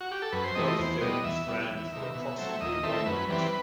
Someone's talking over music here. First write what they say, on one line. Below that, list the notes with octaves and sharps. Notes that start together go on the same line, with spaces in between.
Both films ran for approximately one minute.
F#4
G4
A4
F#2 B4
C5
E3 A3 C4 D#5
D#5
E2 C5
B2 G3 D#5
E2 E5
B2 G3
E2
C3 D#3
B2
F#3 A3 C4
D#2 D#5
D#3 A3 C4 E5
F#2 B4
E3 G3 C4 B4